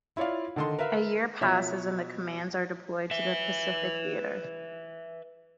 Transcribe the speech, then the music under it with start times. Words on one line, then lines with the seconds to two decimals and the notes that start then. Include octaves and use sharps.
A year passes and the commandos are deployed to the Pacific Theatre.
0.17 E4 F4 C#5 D5 F5
0.56 D3 D#3 A4 D#5 C6
0.79 A#4 B4 E5 F5
1.41 B2 F3 C#5 E5 C#6 B6
3.11 B4 E5